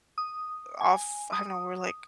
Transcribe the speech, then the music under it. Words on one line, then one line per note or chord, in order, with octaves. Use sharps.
off I don't know, were, like,
D#6
G#5
D#6